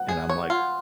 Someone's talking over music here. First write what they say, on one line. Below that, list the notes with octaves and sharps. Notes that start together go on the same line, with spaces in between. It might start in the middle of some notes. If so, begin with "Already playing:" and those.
And I'm like,
Already playing: F#5
G#4
C#5
F4